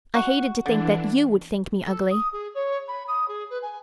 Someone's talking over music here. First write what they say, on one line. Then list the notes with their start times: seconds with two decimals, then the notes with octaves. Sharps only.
I hated to think that YOU would think me ugly.
0.15 F#4
0.66 D3 E3 D4
1.86 A4
2.10 D#6
2.32 G#4
2.54 C#5
2.88 B5
3.08 D#6
3.28 G#4
3.50 B4
3.62 G#5